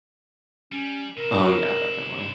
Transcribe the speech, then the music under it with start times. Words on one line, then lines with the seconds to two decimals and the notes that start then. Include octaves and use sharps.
Oh, yeah, definitely.
0.72 G3 C#4
1.17 C3 E4 A#4